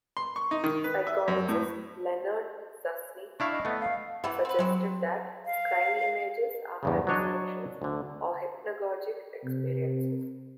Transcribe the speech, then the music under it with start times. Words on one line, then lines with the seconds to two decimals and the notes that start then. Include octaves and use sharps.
Psychologist Leonard Zusne suggested that scrying images are hallucinations or hypnagogic experiences.
0.17 C6
0.36 C#6
0.51 D#4
0.64 D#3
0.84 B4
1.07 E5
1.28 F#2
1.49 A2
3.40 D4 E4 F5 C#6
3.52 D#5
3.65 A3 B3
3.80 F5
4.24 C3 E3 G3 F#5
4.45 C4 B4
4.59 F#3 G#3 C4 F#4
5.46 F5
6.83 E2 G2 C#3
7.07 F#3 B3 D4 C#5 D#5
7.82 D2 D3
9.44 C3